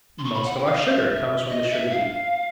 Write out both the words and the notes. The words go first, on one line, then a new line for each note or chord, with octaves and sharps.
Most of our sugar comes from the Sugar-beet.
C6
C#6
B5
F#5
G5
F5
F5
E5
D#5
E5
F5